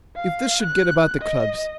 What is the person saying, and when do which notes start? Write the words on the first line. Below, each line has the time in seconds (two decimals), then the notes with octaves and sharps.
If this should get about the clubs!
0.16 F5
0.63 F#6
1.22 D#5